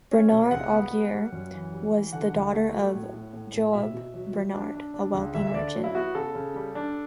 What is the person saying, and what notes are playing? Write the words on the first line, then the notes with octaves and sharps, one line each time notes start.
Bernard Aguirre was the daughter of Joab Bernard, a wealthy merchant.
C#4
B2
C#2 F#5
B3
G3
G3
F#2
E3
G3
E3
D3 F#5
D2
A3
F#3
A2
A2
A2
A2
B2 E5
B2
F#3
F#3
D4
D4
D4
C#2
D2 E5
E5
D3 D5
F#3
E4
B3 F#4
C#3 A4
C#3
G3
D4